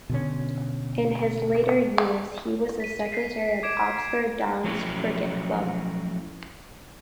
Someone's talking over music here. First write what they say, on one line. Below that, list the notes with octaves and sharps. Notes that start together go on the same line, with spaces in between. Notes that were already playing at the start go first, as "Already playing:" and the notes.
In his later years he was the secretary of Oxford Downs Cricket Club.
B2 D3 C#4
B6 D#7
B6 C7 D#7
D6 G#6 D7 E7
F3 F#3 A3 C4 C#4 E4